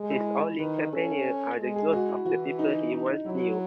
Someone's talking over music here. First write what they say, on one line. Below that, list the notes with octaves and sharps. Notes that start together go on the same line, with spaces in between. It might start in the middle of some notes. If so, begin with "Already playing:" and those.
His only companions are the ghosts of the people he once knew.
Already playing: G#3
E4
D#3 B4
C#4 A4
G#3
G#4
F#4
E4
E3 F#4
D#4
D#4
D#4
F#3 E4